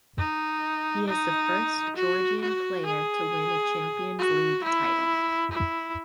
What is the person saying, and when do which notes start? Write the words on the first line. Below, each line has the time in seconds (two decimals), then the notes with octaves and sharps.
He is the first Georgian player to win a Champions League title.
0.18 D#4
1.07 D#4
1.96 F#4
2.41 F#4
2.86 G#4
4.19 F#4
4.63 E4
5.52 E4